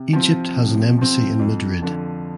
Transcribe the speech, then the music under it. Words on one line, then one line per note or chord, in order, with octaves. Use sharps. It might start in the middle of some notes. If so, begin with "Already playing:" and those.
Egypt has an embassy in Madrid.
Already playing: C3
F3 C4
C3
F3 C4
F2
D3 F3